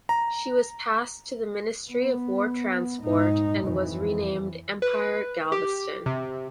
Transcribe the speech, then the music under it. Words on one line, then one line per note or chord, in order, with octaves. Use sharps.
She was passed to the Ministry of War Transport and was renamed "Empire Galveston".
A#5
B3
G#2 D#4
F2 E3
B4
G4
C3